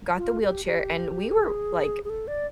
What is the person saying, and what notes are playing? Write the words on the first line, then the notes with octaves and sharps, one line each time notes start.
got the wheelchair, and we were, like
F4
G4
G4
A4
G#4
G#4
A4
D5